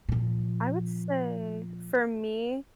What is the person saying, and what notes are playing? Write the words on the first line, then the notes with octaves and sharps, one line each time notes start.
I would say for me,
A#2 F3